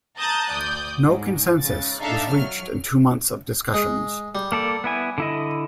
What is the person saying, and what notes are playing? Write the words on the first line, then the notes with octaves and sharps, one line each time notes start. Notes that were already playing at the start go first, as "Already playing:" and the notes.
No consensus was reached in two months of discussions.
A5 A#5 D#6 F#6 G6 A6
D2 D5 D#6 G6
G#2
C#3 A6
D4 D#4 A4 E5 F5
F#3 F6
G#3
G3
A#3 A4 D5
B3 E4 G#5
D3 E4 D#5